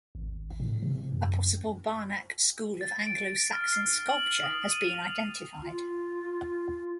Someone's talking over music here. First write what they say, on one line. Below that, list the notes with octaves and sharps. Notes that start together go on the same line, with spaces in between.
A possible Barnack school of Anglo-Saxon sculpture has been identified.
G#1
A2
C3
F#2
A6
D7
F6
C7
F#7
D#6
D#7
F7
F4